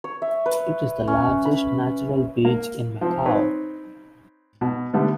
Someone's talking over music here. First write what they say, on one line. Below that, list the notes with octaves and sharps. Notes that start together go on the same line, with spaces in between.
It is the largest natural beach in Macau.
C#5
E5
B4
C#4
B5
A#3
F3 C4
C4 D#4 B4 C#5
B2
D3 G3 A3 B3